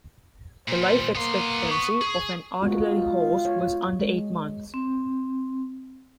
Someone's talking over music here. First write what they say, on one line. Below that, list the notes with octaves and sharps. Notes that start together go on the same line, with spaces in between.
The life expectancy of an artillery horse was under eight months.
A#2 G3 C5
A#3 B3 C6
C#6
G#4
G#3 B3 F4 F#4
C#5
G#3
C4